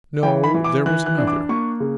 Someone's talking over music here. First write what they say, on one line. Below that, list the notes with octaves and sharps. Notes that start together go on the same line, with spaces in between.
'No there was another.
E3 G5
B5
E3
D6
E3 F#6
F#6
D4
D6
A#3 C#6
C#3